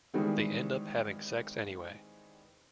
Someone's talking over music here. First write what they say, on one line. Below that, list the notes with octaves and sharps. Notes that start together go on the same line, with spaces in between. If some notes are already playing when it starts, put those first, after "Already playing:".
They end up having sex, anyway.
D#3 E3 G3 G#3 B3 C4